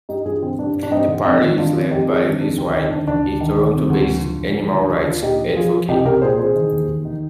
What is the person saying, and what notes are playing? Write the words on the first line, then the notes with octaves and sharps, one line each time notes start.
The party is led by Liz White, a Toronto-based animal rights advocate.
G2 D#4 G4
G2 F4 G#4
D3 C4
G2 D4
G2
D4
G2 C4 D#4
D3
F2 C4 D#4
D#3
D#3 D4 F4
F2
F2 D#4 G4
F2 F4 G#4
D#3 D4
F2 D4
D2 C4
D#3 C4 D#4
D2 D4
D2 D4
D2
D#3
D#3
C3
D2
F3
D2
D2
F3 D4
D2
D4
D2
D4 F4
D2
A#2 D#4 G4
F3
F3 F4 G#4
F3
C2 D#4 G4
C2 G4 A#4
A#2 G#4 C5
C2 G#4 C5
D#3
D#2
D#2
D#3